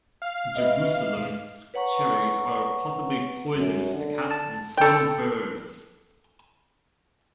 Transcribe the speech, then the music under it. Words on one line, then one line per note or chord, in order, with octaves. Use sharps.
Jerusalem cherries are possibly poisonous to cats and some birds.
F5
B4 D#5 E5
B4 C#5 F#5 A#5 C#6
F#2
D3
A5
A4 G5